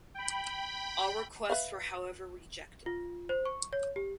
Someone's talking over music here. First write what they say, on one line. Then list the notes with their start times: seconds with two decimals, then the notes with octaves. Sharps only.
All requests were however rejected.
0.14 G5 B5
1.50 B4 E5 F5
2.86 F4
3.29 C5
3.46 C#6
3.73 C#5
3.96 G4